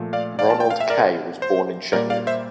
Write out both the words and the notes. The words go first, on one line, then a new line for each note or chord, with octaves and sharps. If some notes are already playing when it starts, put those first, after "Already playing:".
Ronald Kay was born in Sheffield.
Already playing: A#2 F3 A3
D5 F5
D5 F5
A5
G5
F5
E5
A#4 D5
C5
A#2 G3 A#3 A#4 D5
D5 F5
C5 E5